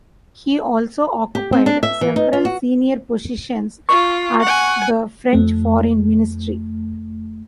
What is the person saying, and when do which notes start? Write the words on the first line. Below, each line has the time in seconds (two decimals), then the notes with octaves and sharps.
He also occupied several senior positions at the French foreign ministry.
1.35 G4
1.53 C4
1.66 D4
1.83 E5
2.01 E3
2.16 D#4
2.33 F4
2.45 F#4
3.89 F4 C#6
4.42 F#5 G#5
5.33 F2 A3